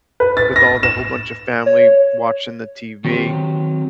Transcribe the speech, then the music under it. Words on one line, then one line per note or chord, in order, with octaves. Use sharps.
with all the whole bunch of family watching the TV.
B4
A6
A#6
E7
C#5
D#3 F#3 C4 G4